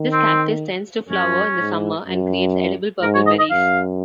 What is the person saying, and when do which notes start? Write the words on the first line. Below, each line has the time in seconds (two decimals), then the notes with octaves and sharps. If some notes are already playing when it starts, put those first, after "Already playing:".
This cactus tends to flower in the summer and creates edible purple berries.
Already playing: D#3
0.13 C4
1.09 F#2 C#4
1.58 G#2
2.07 F#2
3.02 G#2 A#4
3.15 C#5
3.27 D#5
3.39 D#5
3.51 F#2 F5